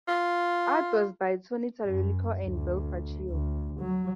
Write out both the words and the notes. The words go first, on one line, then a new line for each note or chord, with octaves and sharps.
Art was by Tony Tallarico and Bill Fracchio.
F4
F#2
D2
D2
F#3